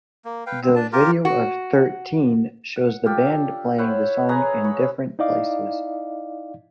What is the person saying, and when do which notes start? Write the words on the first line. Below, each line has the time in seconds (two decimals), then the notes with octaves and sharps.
The video of "Thirteen" shows the band playing the song in different places.
0.25 A#3
0.46 B4 F5 G5
0.62 C4
0.75 D4 A5
0.93 F4 G4 A#4
1.25 F#4
2.76 F#5
3.06 F4 G4 A4
3.27 D4
3.78 E4 C5 C#5 F#5
4.29 G#4 B4 C#5 A#5
4.64 C#5 B5
5.19 D#4 E4 D5 D#5 F5 D6